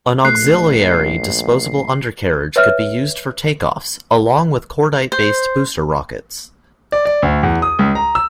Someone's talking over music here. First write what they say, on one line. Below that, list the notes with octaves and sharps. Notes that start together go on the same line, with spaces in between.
An auxiliary disposable undercarriage could be used for takeoffs, along with cordite-based booster rockets.
A#1 A3 F#6 C7
B4 C#5 E5 F6
C5
D5
D5
D2
E2
D#6
C#2
A#5
E6